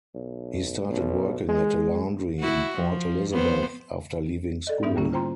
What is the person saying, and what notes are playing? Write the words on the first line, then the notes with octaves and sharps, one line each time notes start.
He started working at a laundry in Port Elizabeth after leaving school.
B1
B1
G#3
E4 F#4
F3
F2 B3 C5
A4 D5 D#5
G#2 B3 D#4 G4 E5
D3 G3 A#3 C#4 E4
F4 C5 G5 A#5 C6